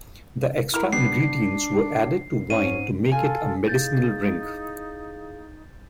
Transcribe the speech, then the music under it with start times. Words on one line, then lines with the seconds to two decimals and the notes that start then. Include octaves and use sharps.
The extra ingredients were added to wine to make it a medicinal drink.
0.74 E4 A#4 F6
0.93 G3 B3 D4 C7
2.50 G#2 C#4 D#7
3.12 F4 A4 F5 G#5
3.68 D#4 E4 G#4 F5 G6 A6